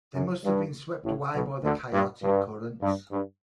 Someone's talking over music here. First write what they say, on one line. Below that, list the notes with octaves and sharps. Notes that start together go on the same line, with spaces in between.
They must have been swept away by the chaotic currents.
F#2
G2
A1 A2
B1 B2
D2 D3
G2
G2
G2
G2